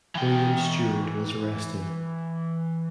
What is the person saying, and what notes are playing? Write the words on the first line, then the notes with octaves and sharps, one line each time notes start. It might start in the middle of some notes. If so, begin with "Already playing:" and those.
William Stewart was arrested.
E3 G5